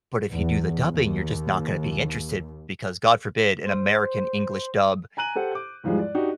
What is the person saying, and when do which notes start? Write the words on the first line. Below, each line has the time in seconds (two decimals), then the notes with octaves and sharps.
But if you do the dubbing, you're just not gonna be interested because, God forbid, an American English dub
0.32 E2
0.93 D#2
3.64 C5
5.17 G#5 A#5 F#6 D#7 F#7
5.35 G4 A4 C5 F#5
5.52 D6 G6
5.84 E2 G#2 F3 G3 G#3
5.99 D5
6.15 D4 D#4 F#4 G4